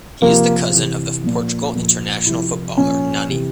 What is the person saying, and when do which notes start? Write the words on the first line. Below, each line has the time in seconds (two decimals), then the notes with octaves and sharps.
He is the cousin of the Portugal international footballer Nani.
0.22 C3 F3 A#3
0.72 C3 E3
1.24 A#2 F3
1.75 A#2 F3
2.26 C3 F3 E4
2.77 A#2 F3 C#4
3.29 C3 E3